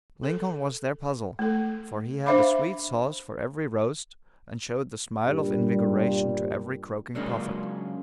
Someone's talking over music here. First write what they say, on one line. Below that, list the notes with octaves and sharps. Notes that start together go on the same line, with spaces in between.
Lincoln was their puzzle; for he had a sweet sauce for every "roast," and showed the smile of invigoration to every croaking prophet.
A4
A3 A4
D4 C5 E5 F5 B5 D6
G2 A#2 G3
C#3 F#3 G#3 A#3 C#4 D4